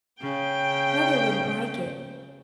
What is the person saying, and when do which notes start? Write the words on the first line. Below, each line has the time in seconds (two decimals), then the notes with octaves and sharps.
"Mother wouldn't like it."
0.22 C#3 G5